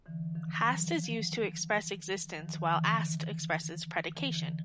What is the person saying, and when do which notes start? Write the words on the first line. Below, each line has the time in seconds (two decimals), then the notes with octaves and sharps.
"Hast" is used to express existence while "ast" expresses predication.
0.06 D3 E3
0.35 D#3 F3
0.64 E3 F#3
0.84 D#3 F3
1.03 D#3 F3
2.40 D#3 F3
2.54 D#3
2.69 D3 E3
2.84 D#3
2.98 D#3
4.15 D3 E3
4.35 D3 E3